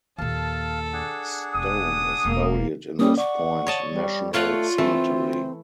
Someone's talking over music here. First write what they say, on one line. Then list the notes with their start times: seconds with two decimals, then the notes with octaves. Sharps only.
Stone is buried in West Point National Cemetery.
0.18 D#2 A#2 A4 F5 A5
0.93 D4 G#4 F#5
1.54 E1 D#6
2.25 E1 A#3
2.99 G3 A#3 C#4 D#6
3.18 D5 F#5 C#6
3.67 C#5 D#5 A5
3.92 G3
4.34 A3 F4 C#5 F5 F#5
4.78 E3 A3 C4